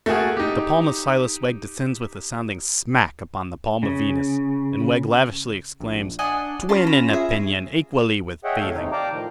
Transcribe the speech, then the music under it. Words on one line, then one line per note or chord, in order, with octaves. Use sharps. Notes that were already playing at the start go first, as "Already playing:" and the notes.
The palm of Silas Wegg descends with a sounding smack upon the palm of Venus, and Wegg lavishly exclaims, 'Twin in opinion equally with feeling!
A3 A#3 F#4 G#4
D#4 G4
C#3
A#1
D4 D#5 F#5 G#5
C#4 F4 A5 C6 A#6
B5
G#4 E5
G#4 C#5 D#5 E5 F#5 G5
D2 A2 A4 C#5 F5
D#2 C3 D#4
D5 F5 G5 A5 A#5 D6
A2 D#3 F3